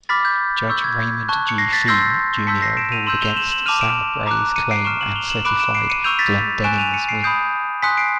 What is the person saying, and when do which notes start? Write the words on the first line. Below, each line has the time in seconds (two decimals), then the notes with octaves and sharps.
Judge Raymond G. Thieme Junior ruled against Sauerbrey's claim and certified Glendening's win.
0.09 B5 D6 F6 A6 B6
0.25 G6
0.69 C#6 E6 G6
0.84 G#6
1.28 A5 C#6 F#6
1.49 C#7
1.58 A#6 C7
1.73 A6 B6
1.87 C6 E6 G6 A#6 C7
2.47 A5 C6 E6 G6 B6 C#7
2.62 A#6 C7
2.77 D7 E7
2.92 D#7 F7
3.07 C6 E6 G6 E7 F#7
3.21 F7 G7
3.36 E7 F#7
3.52 E7 F#7
3.66 A5 D6 F6 D#7 F7
3.81 D7 E7
4.26 A#5 D6 F#6
4.56 C#7 D#7
4.71 C7 D7
4.85 C#6 F6 D7 E7
5.01 E7 F#7
5.15 F7 G7
5.30 E7 F#7
5.45 B5 D6 F#6 D7 E7
5.60 D7 E7
5.74 C7 D7
5.90 C#7 D#7
6.04 C#6 E6 G6 D#7 F7
6.19 A6 B6
6.64 G#5 C#6 F#6 D7 E7
6.78 D#7 F7
6.94 C#7 D#7
7.09 C7 D7
7.23 B5 D#6 G6 C7 D7
7.82 G#5 C6 D#6 F#6 B6 C#7
7.97 C7 D7